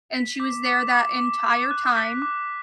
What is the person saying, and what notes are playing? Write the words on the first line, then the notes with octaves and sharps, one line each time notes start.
and she was there that entire time,
B6
D6
D6
D6
D6
D6
F#6
B6
D6